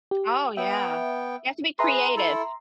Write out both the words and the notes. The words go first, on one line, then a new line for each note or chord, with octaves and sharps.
Oh, yeah, you have to be creative.
G4
B3 E5 G5
G#4 B4 E5 A#5 C6
E4 A4